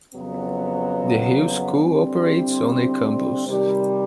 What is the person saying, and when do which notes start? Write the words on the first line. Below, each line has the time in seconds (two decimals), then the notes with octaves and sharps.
The Hill School operates on a campus.
0.14 F2 C#3 F#3 B3
1.80 D3 G3 C4 E4
3.47 C3 D#3 G3